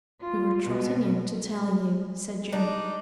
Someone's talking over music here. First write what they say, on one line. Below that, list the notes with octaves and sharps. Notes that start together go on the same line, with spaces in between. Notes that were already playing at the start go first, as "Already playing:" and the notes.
"We were trotting in to tell you," said Jim.
F4
B2
D4 D#4